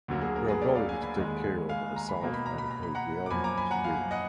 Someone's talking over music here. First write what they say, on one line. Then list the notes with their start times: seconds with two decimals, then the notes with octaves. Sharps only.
Her ability to take care of herself and her will to win.
0.08 D2 D3 F#3 A#3
0.21 G#4
0.36 A#4
0.48 G#4 B4
0.62 A#4 D5
0.75 D5 F5
0.89 F5 G#5
1.02 G#5 B5
1.16 D#2 D#3 G#3
1.69 F5 G#5
1.96 A#5
2.09 B5
2.21 B2 A#3 A#5
2.34 B5
2.46 A#5
2.58 B5
2.71 A#5
2.83 B5
2.95 F#5 A#5
3.26 D6
3.30 F#2 F3 A#3 G#5 B5
3.44 A#5 D6
3.57 G#5 B5
3.71 F#5 A#5
3.84 F5 G#5
4.11 D#5 F#5